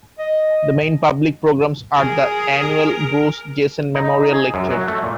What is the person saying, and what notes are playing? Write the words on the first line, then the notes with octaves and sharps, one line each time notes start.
The main public programs are the annual Bruce Jesson Memorial Lecture.
D#5
G#4 A#4
D#4
D#4
G#4
F#2
F#3
A3
A#2